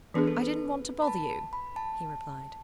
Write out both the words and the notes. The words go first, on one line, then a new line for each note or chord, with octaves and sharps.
"I didn't want to bother you," he replied.
E3 B3 D4 G#4 B4
A4
B4
B5
A5
B5
A5